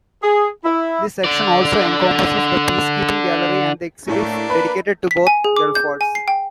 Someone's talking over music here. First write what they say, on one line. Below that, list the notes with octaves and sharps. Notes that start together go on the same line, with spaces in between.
This section also encompasses the Peacekeeping Gallery and exhibits dedicated to both Gulf Wars.
G#4
E4
D3 D5
A2 A3 A#3 D4
B4 B5
B6
G#5
G#4
D6
G6
G#5
C7
G5